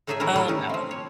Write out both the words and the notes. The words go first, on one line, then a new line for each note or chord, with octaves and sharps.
Oh, no.
A2 A3 D#4 G#4 E5 G#5
A2 D#3 E3 F#3 E4 A#4
G3 A3 D4 E4 B4
C#4 D#4
F3 C4
C#5